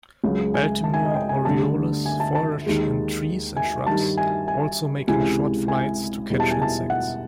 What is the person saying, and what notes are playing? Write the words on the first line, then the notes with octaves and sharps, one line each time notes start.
Baltimore orioles forage in trees and shrubs, also making short flights to catch insects.
C#2 C#3 F#3
G#5
A5
G#5
D#5
G5
G#5
D2 D3 G3 A5
G#5
A5
A5
D#2 D#3 G#3
G#5
G2 D#3 G3 A5
G#5
G#5
C#2 C3 E3 G#5
G#5
E2 B2 G3
A5
G#5
A5
F#5